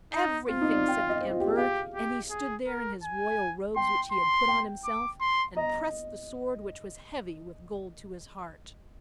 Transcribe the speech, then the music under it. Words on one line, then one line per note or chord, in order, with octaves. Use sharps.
"Everything!" said the Emperor; and he stood there in his royal robes, which he had put on himself, and pressed the sword which was heavy with gold to his heart.
D#4
C4 F4
D#4
D5
G5
F5
D#5
C5
F4
G4
G#4
G4 F5
G4
G#4
A#4
G#5
G5 C6
C6
G5
D6
C6
D#5 A#5